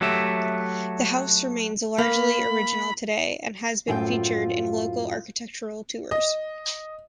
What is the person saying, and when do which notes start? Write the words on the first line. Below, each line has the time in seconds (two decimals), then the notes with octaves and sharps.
The house remains largely original today and has been featured in local architectural tours.
0.01 F#3 A3 G4 E5
1.98 A#3 B5
3.88 F#2 A2 F3 E4 F4 G5
6.11 D#5